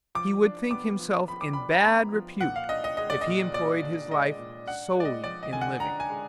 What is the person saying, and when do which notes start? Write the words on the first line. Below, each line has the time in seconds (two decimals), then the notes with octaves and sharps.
He would think himself in bad repute if he employed his life solely in living.
0.15 F3 D6
0.43 D4
0.71 B3 D6
0.99 F3
1.28 F3 B5
1.41 D6
1.53 D4 B5
1.74 A#5
1.84 B3 B5
2.12 F3
2.41 A#2 F#5
2.56 F5
2.69 D4 D#5
2.84 D#5
2.97 G#3 D#5
3.10 D5
3.21 D#5
3.27 A#2
3.54 A#2 D5
3.83 D4
4.11 G#3 D#5
4.39 A#2
4.67 D4 F#5
4.96 G#3 D5
5.05 D#5
5.24 F3 D5
5.43 D#5
5.53 D3 G#5
5.61 F#5
5.80 D4 A#5
6.00 G#5
6.09 G#3